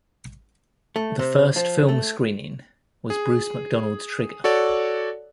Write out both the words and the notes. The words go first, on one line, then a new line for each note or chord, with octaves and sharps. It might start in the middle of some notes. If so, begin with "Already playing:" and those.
The first film screening was Bruce McDonald's "Trigger".
A3
C3
F3
A3
G#4
F#4 A4 C#5 D5